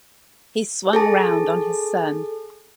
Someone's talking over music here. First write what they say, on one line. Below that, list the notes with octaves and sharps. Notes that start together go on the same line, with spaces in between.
He swung round on his son.
G#4 A4 A5